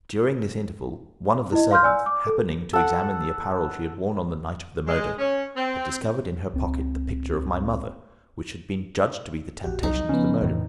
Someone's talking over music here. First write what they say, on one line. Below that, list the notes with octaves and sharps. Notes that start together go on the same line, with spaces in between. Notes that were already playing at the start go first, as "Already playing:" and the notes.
During this interval, one of the servants, happening to examine the apparel she had worn on the night of the murder, had discovered in her pocket the picture of my mother, which had been judged to be the temptation of the murderer.
E4 D#5
F5 C6 F6 G6
D5 G#5 E6
D6
A4
A4 F#5
G#3
C#4
C4
C#2 C4
A#1 F#4 G4
C2 F#3 D#4
C#3 F3 B3 C#4
F2 A2 E3